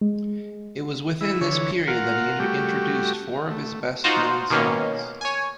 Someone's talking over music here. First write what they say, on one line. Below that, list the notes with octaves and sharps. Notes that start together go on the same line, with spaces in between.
It was within this period that he introduced four of his best-known songs.
G#3
E4
D3 E3 C#5
F4 A#4 F#5
G3 A3 F#4 G4
A3
D#4 F4 F#4 C5
B2 D#3 A#3 C#4
C#5 G#5